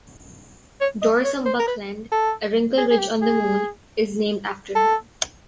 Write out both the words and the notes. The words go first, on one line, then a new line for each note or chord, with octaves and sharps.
Dorsum Buckland, a wrinkle ridge on the Moon, is named after him.
C#5
D#5
C#5
C5
A#4
B4
A4
G#4
G#4
G4
G#4
A4